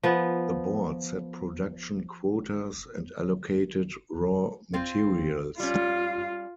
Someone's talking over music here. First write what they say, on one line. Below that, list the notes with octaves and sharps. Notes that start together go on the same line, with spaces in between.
The board set production quotas and allocated raw materials.
F3 B3
C4 F4
G3 C#4 F4